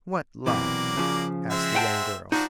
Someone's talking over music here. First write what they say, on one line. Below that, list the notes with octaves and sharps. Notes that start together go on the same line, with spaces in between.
"What love?" asked the young girl.
B1 C3 E3 F#3 A#3 D5
C#3 F3
G#3 C4 E5
F#5 G5 A5
F3 D4 D#4 F#4